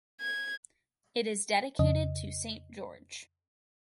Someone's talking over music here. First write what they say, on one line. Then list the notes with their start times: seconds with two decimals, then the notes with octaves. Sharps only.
It is dedicated to Saint George.
0.20 G#6
1.79 F2 C#3 D#5